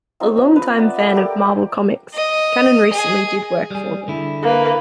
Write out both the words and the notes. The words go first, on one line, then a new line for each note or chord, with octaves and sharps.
A longtime fan of "Marvel Comics", Cannon recently did work for them.
C4 D#4 F4
D#5
B4
D5 E5 F#5
A4 F#5
G4 A#4 D5 G5
D#5
G#4
G3 G#4
D3 E4
A#3 B4